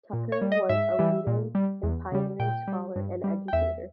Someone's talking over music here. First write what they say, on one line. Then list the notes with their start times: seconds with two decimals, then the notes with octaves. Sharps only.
Tucker was a leading and pioneering scholar and educator.
0.13 A#2
0.32 C#5
0.41 G3
0.52 D#5
0.69 G#2 E5
0.99 E3 G3
1.27 A#2
1.55 G3
1.83 E2
2.12 C#3 G3
2.40 A#2 G5
2.67 G3
2.96 G2
3.24 G3
3.48 G5
3.53 E2 E5